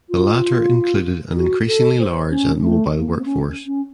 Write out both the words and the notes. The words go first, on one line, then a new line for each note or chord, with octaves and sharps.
The latter included an increasingly large and mobile workforce.
F4
F#4
A4
C5
C#4
A3
A#3
C4
C#4
C#4